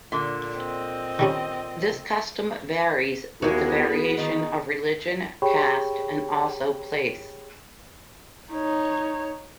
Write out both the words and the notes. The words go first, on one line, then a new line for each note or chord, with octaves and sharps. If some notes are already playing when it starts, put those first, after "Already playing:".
This custom varies with the variation of religion, caste and also place.
A#2 D3
C4 D#5
D#3 G3 C#4
D#2 G#3 B3 E4 F#4
D#3 D#4
G4 G#4 C#5 G5 B5 C#6
D#4 C#5